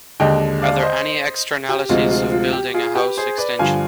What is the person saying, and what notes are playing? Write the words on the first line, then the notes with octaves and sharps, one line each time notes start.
Are there any externalities of building a house extension?
D#2 D3 G#3 D#5 G5
D5 F5
C5 D#5
G4
D2 C3 F3 G#3 F4
F4
F4
G4
F4 G#4
G4 B4
G#4 C5
B4 D5
G2 D3 F3 F5 G#5